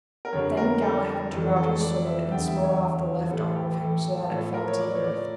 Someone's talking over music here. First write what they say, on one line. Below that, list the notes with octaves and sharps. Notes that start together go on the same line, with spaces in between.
Then Galahad drew out his sword and smote off the left arm of him, so that it fell to the earth.
A#4
F2 D3 G3 C#5
A#4
A4
F2 E3 G3 A4
A4
D5
E5
E2 D3 G3 G5
E5
C#5
A2 E3 G3 A4
G4
A4
A2 F3 A4
A#4
C#5
D5
C#5
D5